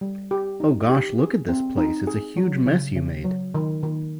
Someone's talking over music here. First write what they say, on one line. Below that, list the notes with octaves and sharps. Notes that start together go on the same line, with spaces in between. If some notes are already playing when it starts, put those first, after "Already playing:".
Oh gosh, look at this place, it's a huge mess you made.
G3
G4
D#4
G4
G#4
C4
D#4
G#4
F#3
C#3
C#3
F#3
D#3
D#3